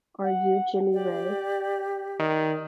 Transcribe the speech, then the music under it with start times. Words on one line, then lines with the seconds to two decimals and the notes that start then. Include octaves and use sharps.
Are You Jimmy Ray?
0.23 F#5
0.93 G4 D5
2.19 D#3 D5